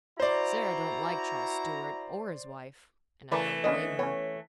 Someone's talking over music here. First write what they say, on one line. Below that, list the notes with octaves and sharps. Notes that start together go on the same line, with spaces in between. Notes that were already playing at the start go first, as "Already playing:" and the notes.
Sara don't like Charles Stuart or his wife--and I don't blame her.
E4 F#4 C5 D5 A#5
E3 A3 A#4 B4 D5
A#3 B3 C#4 D4 D#5
B3 C#4 C#5